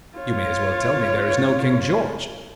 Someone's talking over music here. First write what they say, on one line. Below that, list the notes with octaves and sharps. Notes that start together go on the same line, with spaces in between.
You may as well tell me there is no King George.
F4 C#5